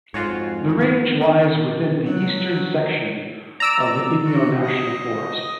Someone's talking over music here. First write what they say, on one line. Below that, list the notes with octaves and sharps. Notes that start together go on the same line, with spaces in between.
The range lies within the eastern section of the Inyo National Forest.
F2 G#2 F4 F#4 C#5
F#3
D5 A#5 E6 D7
F#4
D#5
D#5